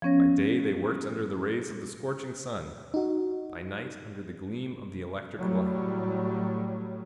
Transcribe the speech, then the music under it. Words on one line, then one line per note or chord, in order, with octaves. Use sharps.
By day they worked under the rays of the scorching sun; by night, under the gleam of the electric light.
F3 B3 C#4 C#5 A#6
D#4 F#4
A2 F#3 G3